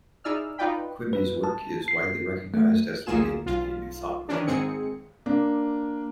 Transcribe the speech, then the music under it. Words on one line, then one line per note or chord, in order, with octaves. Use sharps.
Quimby's work is widely recognized as leading to the New Thought movement.
D#4 E4 G#4 D5 E6 F6
D#4 F4 B4 D5 G5 B5
B4
A5
C7
A3
A1 D2 A#3 F4 G#4 E7
B1 F4
D#3 E3 C#4 D4
G#1 G#2 D#3 C4 G#4 C#7
A#3 D4